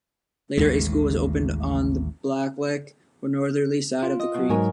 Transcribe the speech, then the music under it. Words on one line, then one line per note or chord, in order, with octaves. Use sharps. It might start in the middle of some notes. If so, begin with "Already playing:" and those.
Later, a school was opened on the Blacklick or northerly side of the creek.
A1 D#2 G#2 G#3
F4
D#5
B2 F#3
G#2 F#3 A#4 C#5 G#5